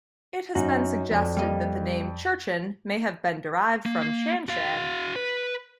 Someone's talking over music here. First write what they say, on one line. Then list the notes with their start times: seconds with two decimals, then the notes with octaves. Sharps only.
It has been suggested that the name "Cherchen" may have been derived from Shanshan.
0.55 F#2 D#4 F#4
1.11 F2 D5
1.37 G3 A#3 D#5
3.86 A#3
4.49 F#4 F5
5.16 B4